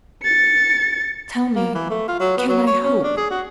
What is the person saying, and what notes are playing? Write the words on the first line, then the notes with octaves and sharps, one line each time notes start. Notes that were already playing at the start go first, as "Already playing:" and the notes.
Tell me, can I hope?
A6 C#7
A#3
E3
A3
F4
F#3
B3
F#3
C#5
C#4
D4
G#4
F#4